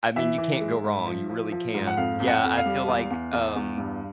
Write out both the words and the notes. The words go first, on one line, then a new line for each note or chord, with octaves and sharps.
I mean, you can't go wrong, you really can't. Yeah, I feel like, um,
E3 E5
E3
G#3
G#2
F3
F3
F3
G#2
F#5
F2 F5
F2
F#5
F2
F5
G3
E2
E2
E2
E2
G2